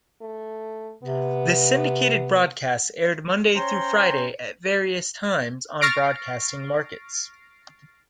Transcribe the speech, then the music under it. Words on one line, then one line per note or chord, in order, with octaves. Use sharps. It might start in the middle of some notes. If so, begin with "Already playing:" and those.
The syndicated broadcasts aired Monday through Friday at various times on broadcasting markets.
A3
C3 B3
C#4 C5 C#5 G5 A#5 C6
C#6 F6 A6 A#6 C7 D7